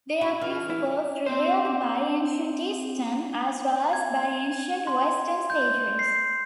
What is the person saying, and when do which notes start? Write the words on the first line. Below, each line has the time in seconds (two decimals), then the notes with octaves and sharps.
They are principles revered by ancient Eastern as well as by ancient Western sages.
0.21 F#4
0.41 E3 C#4 F4 F6
0.70 E4
1.26 C4 C5
3.93 G#6
4.87 C6
5.50 G6
5.99 C7